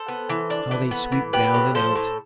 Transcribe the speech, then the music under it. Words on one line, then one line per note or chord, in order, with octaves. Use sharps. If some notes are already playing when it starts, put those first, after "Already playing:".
How they sweep down and out!
Already playing: A4 C5
B3
E3
D4
E3
B3
E3
B3 G4 B4
A2
F3 A4 C5
A2